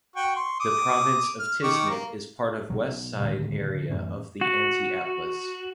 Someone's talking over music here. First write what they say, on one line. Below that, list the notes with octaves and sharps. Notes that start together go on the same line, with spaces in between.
The province of Tiznit is part of west side area of the Anti-Atlas.
F#4 G5 C#6
C6 C#6
D6 D#6
F6
D#3 C#6 D6
A#3
B2 F#3
A2 D3 D#3 G#3
D3
F#2 A2 E3 C#4
F#4